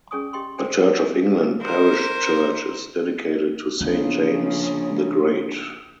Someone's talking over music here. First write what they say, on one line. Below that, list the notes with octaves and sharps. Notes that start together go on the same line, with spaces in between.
The Church of England parish church is dedicated to Saint James the Great.
C#4 G#4 D5 G#5 C#6 D#6
G4 D#5 G5 C6 C#6
A4 C5 D5 G5 G#5
A#4 B4 D5 F#5
D#4 C#5 F#5 G#5
A#4 C5
A#1 C#3 F3 B3